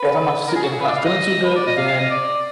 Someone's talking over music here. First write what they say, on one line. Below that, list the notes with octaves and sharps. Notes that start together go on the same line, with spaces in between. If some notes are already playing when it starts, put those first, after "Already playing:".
if I'm not s if I'm not feeling too good, then,
Already playing: B4
A#4
G#4
F#4
G#4
B4
D5
F5
D#5
B4
D5
D#5
F5
F5
D#5
D5